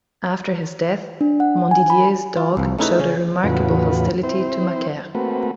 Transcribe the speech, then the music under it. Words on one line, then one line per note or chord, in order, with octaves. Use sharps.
After his death, Mondidier's dog showed a remarkable hostility to Macaire.
D4
F#5
G#5
B5
F4
C2 F3
A3 C#4 D#4 E4 G#4 B4
C#3 C#4
E2 A2 C#3 F4 F#4 B4
C4 E4 C5
A3 A#3 C4 F#4 B4